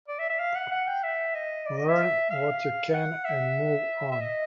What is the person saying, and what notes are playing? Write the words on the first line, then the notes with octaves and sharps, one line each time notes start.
Learn what you can and move on.
D5
E5
E5
F5
F#5
F#5
G5
E5
D#5
D5
D#5
E5
F5
F#5
E5
E5
D#5